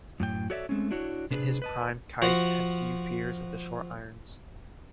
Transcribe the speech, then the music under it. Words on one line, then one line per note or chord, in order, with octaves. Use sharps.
In his prime Kite had few peers with the short irons.
F#2 A2 G5
F#4 A4 C#5 D5 E5
G#3 A3 C4 C#4
D4 E4 F#4 C#5
C3 D4 G#4 B4
B4 D#5 A5
F3 F#4